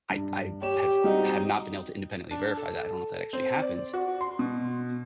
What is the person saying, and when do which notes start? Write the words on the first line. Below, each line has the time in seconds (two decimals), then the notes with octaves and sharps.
I I have have not been able to independently verify that, I don't know if that actually happens.
0.10 G2
0.62 G4 C#5 E7
1.04 G3 C4 D#4 F#4
2.31 D4
2.57 A4
3.33 C4
3.62 D5
3.94 F#4
4.21 C6
4.39 B2